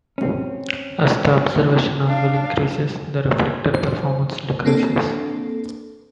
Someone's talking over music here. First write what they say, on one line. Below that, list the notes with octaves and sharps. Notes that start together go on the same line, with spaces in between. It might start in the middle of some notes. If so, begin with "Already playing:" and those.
As the observation angle increases, the reflector performance decreases.
C4 C#4
D4 F5
C5
A#3 C4 D4 A4